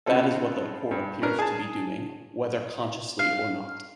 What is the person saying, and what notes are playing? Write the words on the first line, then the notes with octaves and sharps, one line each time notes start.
That is what the Court appears to be doing, whether consciously or not.
C#3 B3 C4 F4 A4
G2
C#4 D4 A#4 B4
G#4 A5
F5